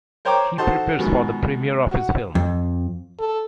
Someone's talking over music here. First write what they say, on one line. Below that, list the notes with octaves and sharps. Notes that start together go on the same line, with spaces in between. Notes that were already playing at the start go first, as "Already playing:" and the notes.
He prepares for the premiere of his film.
A#4 C5 C#5 G5 A#5 D6
D#4 F#4 A4 C5 A5 C6
G#2 B2 D#3 F3
F#4
F2
A4